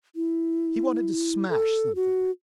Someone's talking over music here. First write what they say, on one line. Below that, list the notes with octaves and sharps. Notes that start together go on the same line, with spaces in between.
He wanted to smash something.
E4
A4
F#4